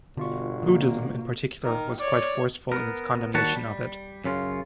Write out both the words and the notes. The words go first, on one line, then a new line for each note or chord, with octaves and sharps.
Buddhism in particular was quite forceful in its condemnation of it.
G1 B2 D3 F4 C#6
D#3 A#3
D#3 A#4
C#5 D5
B3 A#4
D#2 D#3 G3 F#4 F#5 A5
G3
F#2 C#3 F4